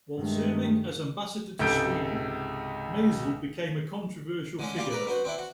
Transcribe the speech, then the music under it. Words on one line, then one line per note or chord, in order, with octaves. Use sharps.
While serving as ambassador to Sweden, Mazel became a controversial figure there.
G2 D#3 G#3 A3
C#2 G#2 C3 A4 G6 D7
D3 G#3 C#4
G3 A#3 F4 G4
A#4 B4 D5
B3 F#4 C5
C4 D4 E4
F#4